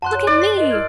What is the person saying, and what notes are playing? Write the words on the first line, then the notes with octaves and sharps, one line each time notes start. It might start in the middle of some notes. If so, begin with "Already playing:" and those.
"Look at me!"
F#2 F#5 A5 C6 F#6
C#5
D5
C7
A#4 D#5
E4 F6 G#6